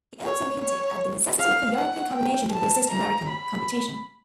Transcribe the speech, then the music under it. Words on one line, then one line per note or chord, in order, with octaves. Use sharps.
He also hinted at the necessity for European combination to resist American competition.
C#5
C#5
F5
F#5
G5
A5
A#5
B5